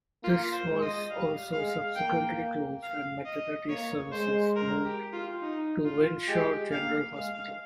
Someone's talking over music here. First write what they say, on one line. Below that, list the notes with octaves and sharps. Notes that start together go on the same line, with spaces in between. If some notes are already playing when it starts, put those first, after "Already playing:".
This was also subsequently closed and maternity services moved to Wishaw General Hospital.
A#3 F4
C5
G#3
D#5
G3 F5
G#3 F5
A#3 G5
F5
D#5
A#3 C#5
G#3 C5
A#4
G4
F4
D#4
F4
G#3 G4
A#3 F5
G#3 F5